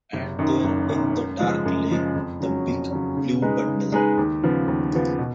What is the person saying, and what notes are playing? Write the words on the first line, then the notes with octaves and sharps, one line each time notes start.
And there in the dark lay the big blue bundle.
F#1
F#2 D#3
F#1
F#2 D#3
F#2
C#3 F3 G#3
F#2
C#3 F3 G#3
F2
C#3 F#3 C#4
F2
C#3 F#3 C#4
C#3
G#3 D#4 G#4 B4
C#3
G#3 D#4 G#4 B4
D#2
C#3 F3 B3
D#2
C#3 F3 B3
B2